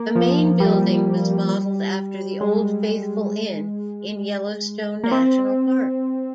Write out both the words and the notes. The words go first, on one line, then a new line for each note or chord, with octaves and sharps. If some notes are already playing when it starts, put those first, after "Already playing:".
The main building was modeled after the Old Faithful Inn in Yellowstone National Park.
Already playing: A#3
F3
G3
G#3
A#3
C4